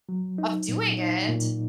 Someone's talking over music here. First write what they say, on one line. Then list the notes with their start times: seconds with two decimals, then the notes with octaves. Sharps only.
of doing it.
0.09 F#3
0.38 D#4
0.69 A#2
0.99 D#4
1.29 A#2